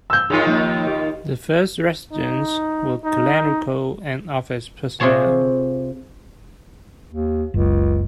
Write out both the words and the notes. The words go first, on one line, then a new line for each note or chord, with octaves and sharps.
The first residents were clerical and office personnel.
E6 G6
D#2 D#3 D#4 F4 G#4 G#5
F3 A#3
G4
D#4
D#4
C3 F4 G#4 C#5 A5
D#2
F#1 C#2